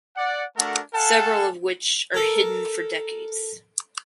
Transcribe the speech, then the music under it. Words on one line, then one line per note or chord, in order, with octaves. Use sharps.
Several of which are hidden for decades.
D5 F#5
A3 D4 F#4 A4 A#4 F#5
A4 F5 F#5 G#5 A5
A4 A#4